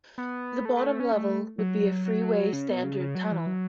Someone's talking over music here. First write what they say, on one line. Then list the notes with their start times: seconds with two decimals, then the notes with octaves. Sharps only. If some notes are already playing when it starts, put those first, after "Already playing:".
The bottom level would be a freeway standard tunnel.
0.18 B3
0.65 A3
0.77 A3
0.88 A3
1.00 C#4
1.12 A3
1.58 F#3
2.06 F#3
2.53 C#3
2.69 B2
2.84 C#3
3.00 C#3
3.15 F#3
3.32 E3
3.47 F#3